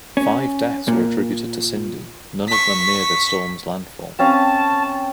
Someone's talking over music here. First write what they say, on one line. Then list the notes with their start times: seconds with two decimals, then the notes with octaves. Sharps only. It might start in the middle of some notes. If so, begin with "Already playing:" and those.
Five deaths were attributed to Cindy, none of them near the storm's landfall.
0.17 C#4
0.88 A#2
2.48 C#6 B6
4.19 C4 C#4 F5 A5